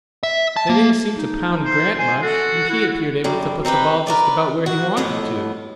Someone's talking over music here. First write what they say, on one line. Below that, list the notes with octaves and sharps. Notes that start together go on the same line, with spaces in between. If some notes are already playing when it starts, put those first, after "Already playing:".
"They didn't seem to pound Grant much, and he appeared able to put the ball just about where he wanted to."
E5
A5
A#3
D#4
C5
C5 G#5
F#4 A4
E4
F#2 G3
C4 D#4 G4 B4
A#4 B4 D5
F#4
F2 A2 B3 D#5